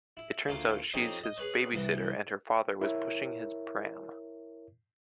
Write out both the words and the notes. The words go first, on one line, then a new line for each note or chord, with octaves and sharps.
It turns out she's his babysitter and her father was pushing his pram.
E4
D2 A3 A#3 F4
F2 C4 C#4 D#4 G4 G#5
D#5
G#4 B4 C#5
C2 E3
E4 A#4 C#5 E5